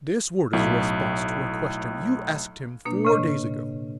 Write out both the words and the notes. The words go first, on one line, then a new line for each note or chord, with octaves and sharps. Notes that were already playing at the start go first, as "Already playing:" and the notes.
This word is a response to a question you asked him four days ago.
B1 A2
B2 A#3 D4
A2 C#3 D#5